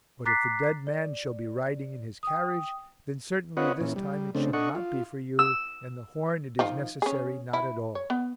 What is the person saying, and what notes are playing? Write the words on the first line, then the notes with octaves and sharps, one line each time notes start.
But if the dead man shall be riding in his carriage, then certainly this time it shall not be for you and the horn it is necessary not at all.
A#5 D6 F#6 A6 B6 C7
D5
G5 D#6
C4 F4 B4 C#5 D#5 F#5
A#2 E3 C#4
G3
C#3 A3 C4 D4
D4 A4 D#5 F#5 C#6
F4
E6
D#3 F3 F4
C#4 G#4
E4
C#5
B3